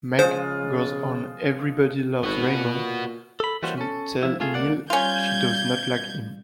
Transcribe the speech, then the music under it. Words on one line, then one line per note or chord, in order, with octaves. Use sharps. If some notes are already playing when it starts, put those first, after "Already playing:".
Meg goes on "Everybody Loves Raymond" to tell Neil she does not like him.
C#3 F3 G#3 F4 C5
G#1 B3 F#4
A#2
A4 B5
E3 G3 A#3 C#4 F#4 C5
C#4 A4
F3 E4
A3 F4 G#4
C#2 B2 A#3 D5 F#5
G3 C#4 F4 G6 G#6